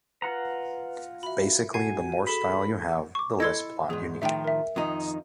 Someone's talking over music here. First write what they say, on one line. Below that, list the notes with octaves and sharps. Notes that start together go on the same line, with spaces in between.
Basically, the more style you have, the less plot you need.
F4 B4 F#5 A#5
F#4 E5 B5
F#4 F#5 G#5 G#6 C7
G#4 A4 B5 E7
C#6 D6
E4 A4 D#5 C6 G#6
E2 G#2 G#4
A2 D#3 F3 E5 G5
A#4 E5
F2 D#3 D#4